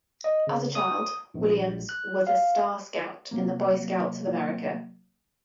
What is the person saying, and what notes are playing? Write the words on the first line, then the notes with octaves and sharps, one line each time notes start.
As a child, Williams was a Star Scout in the Boy Scouts of America.
D#5
C#3
D#6
A#1
F#6
F5
C3 F#3 A#3